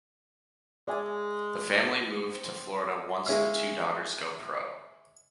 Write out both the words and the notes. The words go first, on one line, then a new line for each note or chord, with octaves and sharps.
The family move to Florida once the two daughters go pro.
G#3 D5 E5 G#5
C4
G#3 C#4 E4 F5 F6